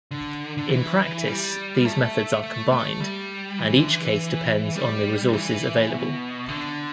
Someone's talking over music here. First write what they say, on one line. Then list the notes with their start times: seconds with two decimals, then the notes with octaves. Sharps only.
In practice these methods are combined, and each case depends on the resources available.
0.11 D3
0.58 D3
0.70 E3
1.27 G3
1.85 A3
2.44 A3
2.72 A3
3.00 G3
3.59 E3
3.74 D3
3.88 E3
4.75 G3
5.29 D3
5.33 E3
5.91 B2
6.48 D3